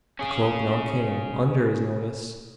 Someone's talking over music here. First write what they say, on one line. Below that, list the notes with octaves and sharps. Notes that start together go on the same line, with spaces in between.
The cloak now came under his notice.
C#4 G#4